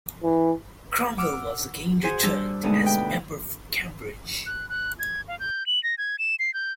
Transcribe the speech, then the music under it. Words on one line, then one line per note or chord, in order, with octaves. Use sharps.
Cromwell was again returned as member for Cambridge.
E3
F#5 D6 E6 F6
F#4 G#4 C5 G#5
G3 D4 A5 E6
D2 B2 G#3 D#4 A5 D#6
B4 G5
F#6
F#6
G#6
F5
G6
F#7
A#6
G#6
E7
C7
G6